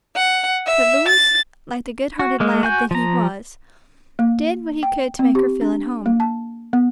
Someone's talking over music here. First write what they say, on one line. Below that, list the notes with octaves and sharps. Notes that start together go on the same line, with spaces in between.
But Louis, like the good-hearted lad that he was, did what he could to make her feel at home.
F#5
E5
A6
F#4
G#3 A#3
F#4 G#5 G6
F3 A#5
A#3
G5
C4
G4
D4
A#3
A5
B3